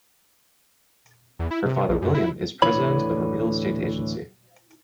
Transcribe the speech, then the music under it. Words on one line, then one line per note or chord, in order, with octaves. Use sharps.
Her father William is president of a real estate agency.
E2
E4
C3
A#1
F#2
E4
D2 A2 D3 E3 C#5 B5